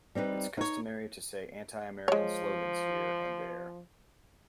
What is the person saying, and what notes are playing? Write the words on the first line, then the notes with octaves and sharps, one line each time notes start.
It's customary to say anti-American slogans here and there.
G3 C4 D#4 B4
D#4 C#5
F3 G#3 C#5